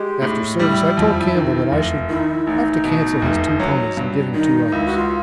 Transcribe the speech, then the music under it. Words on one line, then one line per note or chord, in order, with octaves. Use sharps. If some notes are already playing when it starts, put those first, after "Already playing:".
After Service I told Campbell that I should have to cancel his two ponies and give him two others.
Already playing: G#3 G4
A2
G3 E4
F2
D#3
F1
D#3 E4
D#4
E4
A1 D#4
B2
F1
F#3
G2
D#3 D#4
D#4
C#2 E4
F#4
F4